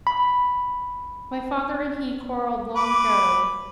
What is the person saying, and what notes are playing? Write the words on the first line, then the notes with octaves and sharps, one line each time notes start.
My father and he quarrelled long ago.
B5
B4 D6